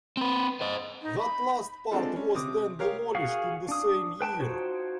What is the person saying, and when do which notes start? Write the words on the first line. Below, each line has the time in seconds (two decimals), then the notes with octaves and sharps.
That last part was then demolished in the same year.
0.17 C4 B4
0.61 C5 D#5
1.02 D#4
1.18 B5
1.92 G#3 C4 D4 F4 A4
2.16 C#4
2.35 C3 D6 D#6
2.79 G4 A#4 C#5 F5
3.15 F#4 G#4 F5 F#5
3.68 D4 D#6
4.21 B4 G5 A5
4.39 D#4 F4 F#4 C5 C#5